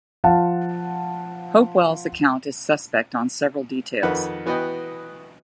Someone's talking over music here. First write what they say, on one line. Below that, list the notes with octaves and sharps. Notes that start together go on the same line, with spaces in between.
Hopewell's account is suspect on several details.
F3 F5 F#5 A5
F2 D#3 B4 F#5
E3 B3 F#4 B4 D#5 G5